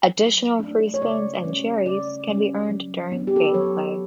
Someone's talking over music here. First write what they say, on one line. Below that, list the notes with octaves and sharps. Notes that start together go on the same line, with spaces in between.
Additional Free Spins and cherries can be earned during gameplay.
F#3
A3 D4
C#5
C#3 D5
G3 C#4
C#3 D5
G3 C#4
F#3
B3 D4
G4
A4
B4
F#3 C#5